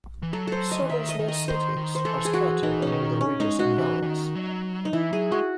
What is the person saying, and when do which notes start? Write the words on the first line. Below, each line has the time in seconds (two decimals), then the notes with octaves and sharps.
Several small cities are scattered along the ridges and valleys.
0.22 E3
0.33 F#3 A4
0.47 A4 C5
0.72 D#5
0.82 E3
0.90 D#3 E5
1.09 D#5
1.19 D#3
1.28 D#5
1.48 D#3 C5
1.76 D#3
1.95 C5
2.05 E3 A4
2.25 G#4
2.34 F#4
2.63 E3 D#4
2.82 E3 C#4
2.92 D#3
3.21 C#4
3.40 G#3 D#4
3.59 G#3 F#4
3.78 E3
4.02 E3
4.06 D#3
4.35 F#3
4.85 D#4
4.93 E3 E4
5.12 F#3 G#4
5.31 G#3 F#4